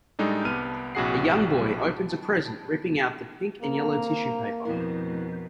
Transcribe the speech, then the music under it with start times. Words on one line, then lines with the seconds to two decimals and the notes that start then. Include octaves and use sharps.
A young boy opens a present ripping out the pink and yellow tissue paper.
0.19 A2 G3 G#3 D4 D#4 A4
0.45 C2 B3 F6 D#7
0.95 A#1 C3 F#4 G#4 F#5 C7
3.62 A#3 C4 A4 A#5
4.65 F2 B2 E4 A#4